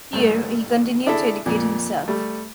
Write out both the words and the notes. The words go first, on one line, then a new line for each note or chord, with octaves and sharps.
Here he continued to educate himself.
G2 A3
D4 E4 G#4 A4 E5
F2 A#2
G3 A3